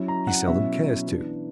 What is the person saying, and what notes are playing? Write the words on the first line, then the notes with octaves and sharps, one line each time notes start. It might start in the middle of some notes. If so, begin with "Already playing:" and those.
He seldom cares to.
Already playing: F#3 C#4 E4
A#5
F#5
B2 F#3 C#4 E4 E5
E3 B3 D4